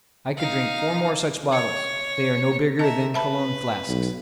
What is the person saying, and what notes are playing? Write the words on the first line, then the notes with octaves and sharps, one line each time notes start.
I could drink four more such bottles; they are no bigger than cologne flasks.
D#4 F5
C#5
D#5 E5 A5 A#5
B4 E5 A5 B5
B1